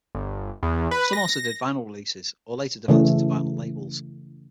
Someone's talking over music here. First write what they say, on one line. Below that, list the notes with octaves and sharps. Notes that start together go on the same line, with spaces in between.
Some also did vinyl releases, or later developed into vinyl labels.
G1
E2
B4
A#6
C#3 E3 A3